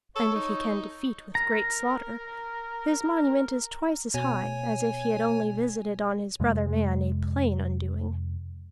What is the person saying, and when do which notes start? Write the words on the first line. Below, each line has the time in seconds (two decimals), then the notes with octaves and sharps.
And if he can "defeat with great slaughter" his monument is twice as high as if he had only visited on his brother man a plain undoing.
0.16 A4 C#5
0.36 D#4
1.35 A#4 A#5
4.14 B2 C#5 G#5
6.40 F2 C3 G#3